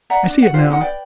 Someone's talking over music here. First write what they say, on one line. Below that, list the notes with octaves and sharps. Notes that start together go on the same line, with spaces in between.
I see it now.
D5 E5 F#5 A#5
D4
F#4 D5 F#5
D4 F4 G4 C5
C#4 D#4 G4 F#5
B4 D5 G5